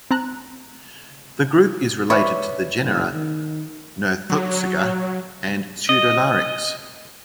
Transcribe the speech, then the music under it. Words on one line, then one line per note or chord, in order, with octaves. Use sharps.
The group is related to the genera "Nothotsuga" and "Pseudolarix".
C4 A5 A#5 F#6
B4 C#5 D5 E5
F#1
D#3
F#3
D#5